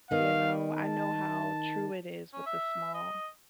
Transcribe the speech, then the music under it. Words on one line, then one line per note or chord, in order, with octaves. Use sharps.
You know, I know how true it is with the small.
D#3 B3 F5
A5
C#4
E5
D#5